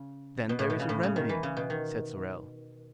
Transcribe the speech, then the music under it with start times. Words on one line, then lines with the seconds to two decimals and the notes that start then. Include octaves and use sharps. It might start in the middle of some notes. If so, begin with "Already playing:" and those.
"Then there is a remedy," said Sorel.
Already playing: C#3
0.49 B2
0.59 A2
0.70 B2
0.80 C#3
0.89 A2
1.03 C#3
1.16 D#3
1.29 E3
1.43 C#3
1.57 B2
1.70 D#3